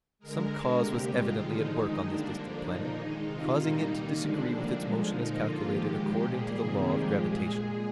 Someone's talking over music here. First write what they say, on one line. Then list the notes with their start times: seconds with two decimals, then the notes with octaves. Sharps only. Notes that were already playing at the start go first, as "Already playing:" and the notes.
Some cause was evidently at work on this distant planet, causing it to disagree with its motion as calculated according to the law of gravitation.
0.19 D3 G#3 A#4
0.50 D3 G#3
0.80 C3 G3 A#3 G4
1.11 D#3 G#3 F4
1.41 D3 F3 G#3 D#4
1.71 D#3 G#3
2.01 D3 G3 A#3 D4
2.33 D3 F3 A#3
2.63 A#2 F3 A#3 D#4
2.93 D#3 G#3
3.24 C3 D#3 G#3 F4
3.54 A#2 G3 A#3 D#4
3.84 D#3 G3 A#3
4.15 D3 F3 G#3 D4
4.46 D3 G3 A#3
4.76 D3 F3 G#3
5.06 A#2 F3 A#3 D#4
5.37 D3 F3 A#3 F4
5.67 D#3 G#3 G4
5.98 A#2 F3 G#3
6.28 A#2 G3 A#3 G#4
6.58 C3 D#3 G3 A#3
6.90 A#2 F3 G#3 G4
7.19 A#2 G#3 G#4